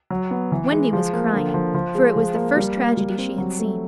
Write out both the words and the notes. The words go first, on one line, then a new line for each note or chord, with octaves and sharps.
Wendy was crying, for it was the first tragedy she had seen.
F#3
B3
E3
G#3
F3
A#3
D3
F3
F3
G#3
F3
A#3
G3
A#3
G3
C4
F#3
A3